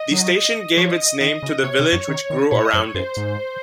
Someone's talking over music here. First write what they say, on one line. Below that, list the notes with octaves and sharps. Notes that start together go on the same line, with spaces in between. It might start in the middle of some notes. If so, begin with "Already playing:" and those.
The station gave its name to the village which grew around it.
Already playing: D#5
F#3
F3 C#5
D#5
D#5
D#3 D#5
C#3
C3 C#5
C3
F#2
D#3
D#3
A#2 C#5
D#5
F#2 C5
C#5
F#2 C5
G#2